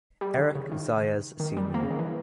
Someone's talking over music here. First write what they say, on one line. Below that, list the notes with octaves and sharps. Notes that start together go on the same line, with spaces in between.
Eric Zayas Sr.
G3
D#3
C#3
D#3
D#3
G3
A#3
C#3
D#3
E3